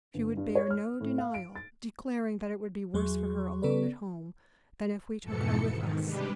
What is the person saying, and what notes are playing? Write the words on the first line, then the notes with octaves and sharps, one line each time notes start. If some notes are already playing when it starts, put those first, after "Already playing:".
She would bear no denial, declaring that it would be worse for her alone at home, than if we took her with us.
G1
G2
C#5
F6
A2
F5
D7
A6
E2 F#3 G#4 C6 C#6
C#3 B3 A4 B4 D5
F2 G#2 B2 E3 A4 C#7
G#2 D#3
C3 G3 G#3 D4 G4 B4